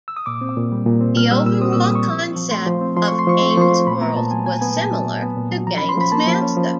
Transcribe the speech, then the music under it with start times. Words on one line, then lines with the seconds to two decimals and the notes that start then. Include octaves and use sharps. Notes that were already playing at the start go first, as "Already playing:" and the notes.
The overall concept of "Games World" was similar to "GamesMaster".
0.08 E6
0.17 D#6
0.26 A#2 D6
0.41 C4
0.57 A#2
0.72 G3
0.86 A#2
1.01 C4
1.16 A#2 F6
1.31 G3 E6
1.46 A#2 E6
1.61 C4 D#6
1.73 E6
1.76 A#2
1.84 D#6
1.91 G3 C#6
2.06 F3
2.21 C4
2.36 F3
2.51 A3 C6
2.66 F3
2.81 C4
2.97 F3 C6
3.08 A3 C#6
3.19 C6
3.27 F3 C#6
3.40 C4 C6
3.50 C#6
3.57 F3 C6
3.71 A3
3.87 A#2 B5
4.01 B3 A#5
4.16 A#2 A5
4.31 F#3 G#5
4.46 A#2 G#5
4.61 B3 G#5
4.76 A#2 A5
4.91 F#3
5.07 A#2
5.22 B3
5.37 A#2
5.51 F#3
5.67 F3 A#5
5.78 B5
5.82 C#4
5.89 C6
5.97 F3 B5
6.12 A#3 A5
6.27 F3
6.42 C#4
6.57 F3